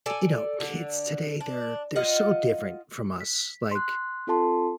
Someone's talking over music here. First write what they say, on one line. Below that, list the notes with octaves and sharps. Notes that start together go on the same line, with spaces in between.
you know, kids today, they're they're so different from us, like,
A4 D5 G#5
D3
D4
F4 D#5 F#5
B6
C6 F#6
C4 F4 A4 A5 C6